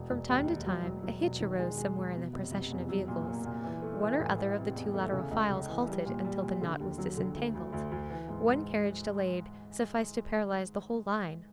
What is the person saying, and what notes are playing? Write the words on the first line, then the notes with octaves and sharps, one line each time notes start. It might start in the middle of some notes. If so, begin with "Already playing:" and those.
From time to time, a hitch arose somewhere in the procession of vehicles; one or other of the two lateral files halted until the knot was disentangled; one carriage delayed sufficed to paralyze the whole line.
Already playing: E1
E1
D#2
E1
F#3
F#3
F#3
E1
D#3
G#3
G#3
G#3
B2
F1
F1
E2
F#3
A#2
A#3
A#2
E3
A3
E3
A1
E3
C3
E2
A3
C#3
C#2
C#3
E3
G3
A#2
G3
A#2
D3
D#2
F#3
D3
D2
D2
D2
D2
E3
G#2
G#2